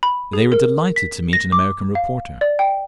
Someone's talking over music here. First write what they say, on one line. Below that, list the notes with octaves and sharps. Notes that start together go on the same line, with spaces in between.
They were delighted to meet an American reporter.
B5
G#4
A#4
B6
A#6
D6
F5
D5
G5